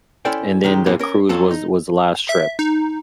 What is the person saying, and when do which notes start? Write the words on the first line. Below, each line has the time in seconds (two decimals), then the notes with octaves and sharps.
And then the cruise was was the last trip.
0.25 C#4 E4 A4 C5 D5 G5
0.64 D#3 F#3 G#3 G4
0.86 G#2 E3 F3 G3 B3 D#4
0.99 C#4 A#4
1.29 F2 F3 F#3 A4
1.51 D#4
2.29 E5
2.59 D#4